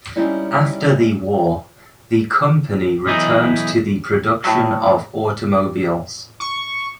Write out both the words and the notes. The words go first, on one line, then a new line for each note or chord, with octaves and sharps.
After the war, the company returned to the production of automobiles.
G3 G#3 C4 C#4 D#4 E4
B1 E3 D#4 E4 D#5
A2 F#3
C#6